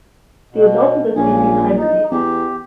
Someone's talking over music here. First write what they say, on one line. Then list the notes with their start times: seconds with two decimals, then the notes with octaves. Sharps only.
The adults of the species hibernate.
0.52 B2
1.15 A#1 A#2 C#4 G#4
1.76 D#4
2.11 E2 G4